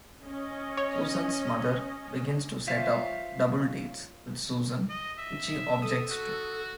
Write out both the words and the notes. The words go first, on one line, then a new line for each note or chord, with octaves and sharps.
Susan's mother begins to set up double dates with Susan which she objects to.
C#4 D#5
C#5
F4 C5 C#5 E5 F5
D#5
E5
A4 D#6
F#4